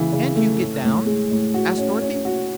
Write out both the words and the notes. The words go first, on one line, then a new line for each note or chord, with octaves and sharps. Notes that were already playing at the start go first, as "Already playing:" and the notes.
"Can't you get down?" asked Dorothy.
Already playing: C#3 E3 G#3
C#3
A3
A2
A2
G#3
A2
F#4
C#4
C#4
F#4